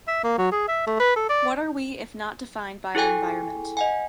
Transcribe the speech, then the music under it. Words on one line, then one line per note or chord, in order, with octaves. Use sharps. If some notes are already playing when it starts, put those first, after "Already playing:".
What are we if not defined by our environment?
E5
A#3
F#3
G#4
E5
A3
B4
A4
D5
E4 G#4 A4 G5 G#5
D#5 F#5 G#5